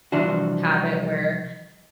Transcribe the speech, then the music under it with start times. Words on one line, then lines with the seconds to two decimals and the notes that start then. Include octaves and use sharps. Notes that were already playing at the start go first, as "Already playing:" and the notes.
habit where
0.12 C2 E3 F3 D4 F#4